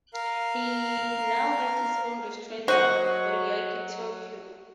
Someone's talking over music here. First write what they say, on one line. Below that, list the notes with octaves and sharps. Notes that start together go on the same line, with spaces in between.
He now has his own restaurant in Ariake, Tokyo.
A#4 F5
F#3 F#4 C5 D#5 F#5